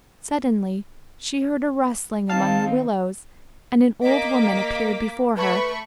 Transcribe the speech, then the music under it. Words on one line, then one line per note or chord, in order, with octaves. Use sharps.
Suddenly she heard a rustling among the willows, and an old woman appeared before her.
D#3 C4 D#4 F5 A5
A#3 D#5 D6 B6
A3 B4 B5 C#6